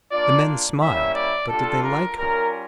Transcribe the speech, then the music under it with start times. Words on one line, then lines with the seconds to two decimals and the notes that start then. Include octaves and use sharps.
The men smiled--but did they like her?
0.12 A#3 D4 F4 D5
0.80 G3 A#3 C#4 E4 E5
1.15 D5
1.49 G3 D4 F4 A4
1.84 A#4
2.17 G3 C#4 F4 A#4